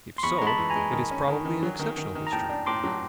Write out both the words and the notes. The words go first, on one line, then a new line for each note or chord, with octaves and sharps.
If so, it is probably an exceptional history.
C6
E2 B5 C#6
A#5
G#3
A5 B5
E3
G#5 A#5
G#3
D#3
C#4
D#3
D#3
F#3
D#3
D#3
D#3
A#5
A2 G5 A5
D4
A2 C6 D6
F#3